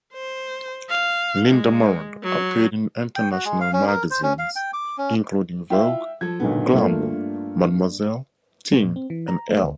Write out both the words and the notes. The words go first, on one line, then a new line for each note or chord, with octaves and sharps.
Linda Morand appeared in international magazines including "Vogue", "Glamour", "Mademoiselle", "Teen", and "Elle".
C5
F5
G#3
F#3
G5
F#4
G#3
F5
C#4
A#4
C5
C#4
F5
G5
D6
C#4
E4 F4 E5 F5 G5
F3 A4 G#6
B1 A#2 D3 B3
G2 A3 A#3 D4 F4 A#4
A#2
C4
E3
A#5
A3
D2